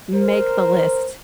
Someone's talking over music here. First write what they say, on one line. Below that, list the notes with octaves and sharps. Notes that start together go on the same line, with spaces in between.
make the list
A#4 C5